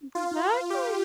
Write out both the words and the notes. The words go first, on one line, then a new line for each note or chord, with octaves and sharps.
M exactly.
F4
G4